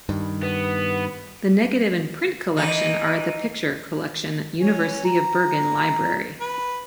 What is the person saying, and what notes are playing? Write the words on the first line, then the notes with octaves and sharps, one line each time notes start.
The negative and print collection are at The Picture Collection, University of Bergen Library.
G2 D#3
B3
E3 D#4
C#4
A#5
B4